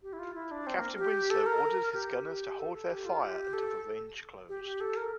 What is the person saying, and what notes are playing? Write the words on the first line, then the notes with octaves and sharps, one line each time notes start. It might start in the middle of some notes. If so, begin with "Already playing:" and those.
Captain Winslow ordered his gunners to hold their fire until the range closed.
G4
E4
F4
E4
D4
C4
A#3
G4
A4
A#4
G4
A4
A4
G4
F4
G4
A4
G4
G4
A4
A#4